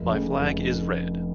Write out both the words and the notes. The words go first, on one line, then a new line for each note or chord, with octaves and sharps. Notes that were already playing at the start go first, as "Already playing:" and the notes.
My flag is red.
Already playing: F1
F2 C#3 A3
F1